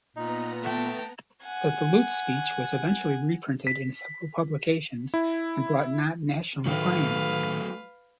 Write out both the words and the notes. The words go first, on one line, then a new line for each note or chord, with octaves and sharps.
The Duluth speech was eventually reprinted in several publications and brought Knott national acclaim.
A#2 B3 D#4 A#5
A3 G5 A5
F#5 G#5
B6
E4
A2 D#3 F#3 A3 B4 F5